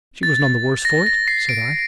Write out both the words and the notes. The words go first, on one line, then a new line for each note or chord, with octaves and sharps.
"She was none the worse for it," said I.
A6
A#6
A#6
C7
D7